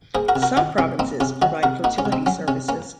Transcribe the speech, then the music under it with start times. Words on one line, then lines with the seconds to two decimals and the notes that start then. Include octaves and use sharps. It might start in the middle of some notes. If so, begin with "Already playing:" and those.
Some provinces provide fertility services.
0.15 A#3 G#4 C5
0.29 F#4 A#4
0.36 C3
0.42 F#4 A#4
0.57 D#3 D#4 F#4
0.78 C3 C#4 F4
0.99 A#3 C4 D#4
1.20 C3 C#4 F4
1.42 D#3 D#4 F#4
1.63 C3 F#4 A#4
1.84 A#3 D#4 F#4
1.98 C#4 F4
2.05 C3
2.12 C4 D#4
2.26 F#3 C#4
2.48 C3 C#4
2.69 A#3 C#4